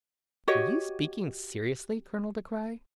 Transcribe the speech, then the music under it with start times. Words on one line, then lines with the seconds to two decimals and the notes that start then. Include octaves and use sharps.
"Are you speaking seriously, Colonel De Craye?"
0.48 F#4 G4 C#5 D#5